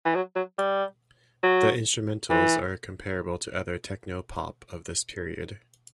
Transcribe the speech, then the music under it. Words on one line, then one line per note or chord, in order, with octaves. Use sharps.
The instrumentals are comparable to other techno pop of this period.
E3
F#3
F#3
G3
F#3
E3